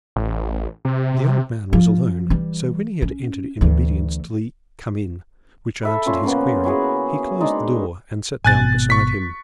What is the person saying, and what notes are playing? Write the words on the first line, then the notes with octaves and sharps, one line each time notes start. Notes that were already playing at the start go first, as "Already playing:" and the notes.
The old man was alone, so, when he had entered in obedience to the "Come in," which answered his query, he closed the door and sat down beside him.
A1
C3
F3
E3 G3
C#4
D2 E3
A4 E5 B5
A#2 C#4 F4 C6
C#3 F3 A#3 B3
C#4 E4 F#4 G#4
G#3 D4 D#4
G#1 B2 G#5 F#6 A6
C#6 B6